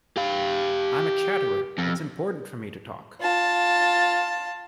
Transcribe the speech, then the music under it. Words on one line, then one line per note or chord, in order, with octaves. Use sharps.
I'm a chatterer; it's important for me to talk!
G4 F5
F2
F4 A5